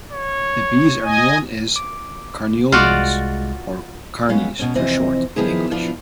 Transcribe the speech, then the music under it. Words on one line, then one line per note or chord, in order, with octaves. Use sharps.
These bees are known as Carniolans, or "Carnies" for short, in English.
C#5
D#5 G#5
D6
C2 G#3 F4 F#4 D5
F#3 G#3 B3 C#4 F5
B2 C#4
F2 C3 E3 C4 D#5
D#3 F3 B3 E4 G#4
F3 B3 D4 E4 F4